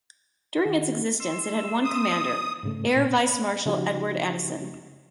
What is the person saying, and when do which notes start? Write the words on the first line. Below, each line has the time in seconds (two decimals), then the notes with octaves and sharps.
During its existence it had one commander, Air Vice-Marshal Edward Addison.
0.65 D#3 F#4
1.20 C6 E6
1.84 D#6
2.63 G#2 C#3 A3
2.96 A#2
3.14 B5
3.66 C#3 F3 D#4 F#4 G4